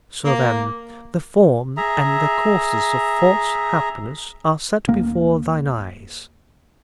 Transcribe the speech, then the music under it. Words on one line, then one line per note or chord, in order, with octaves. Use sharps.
'So, then, the form and the causes of false happiness are set before thine eyes.
A#3
G#4 E5 A#5
D#1 A#3